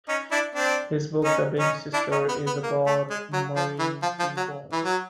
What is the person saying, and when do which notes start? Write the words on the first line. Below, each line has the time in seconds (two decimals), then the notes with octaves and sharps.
His book "The Baby Sister" is about Maureen being born.
0.08 C#4 D#4
0.31 D4 E4
0.55 C4 D4
1.24 C#4 D#4
1.59 C#4 D#4
1.94 D4 E4
2.12 C#4 D#4
2.29 B3
2.46 B3
2.63 A#3
2.87 A3
3.10 G#3
3.33 F#3
3.56 F3
3.79 E3
4.02 F3
4.19 F3
4.37 F#3
4.72 E3
4.84 F#3